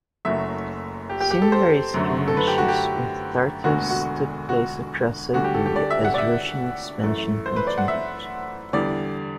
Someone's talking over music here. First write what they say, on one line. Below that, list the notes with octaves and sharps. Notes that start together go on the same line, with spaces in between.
Similar skirmishes with Tartars took place across Siberia as Russian expansion continued.
F#1 F#2 F#3 A3 E5
G4
G4
G4
A4
C5
F#2 D3 F#3 A3
A4
B4
G4
F#4
G4
E1 D2 D3 F#4
F#4
F#4
D2 D3 G3 F#4
G4
A4
G4
D5
E5
F#5
D5
E5
F#2 E3 A3
C5
B4
D5
F#5
E5
E2 D3 G3 D5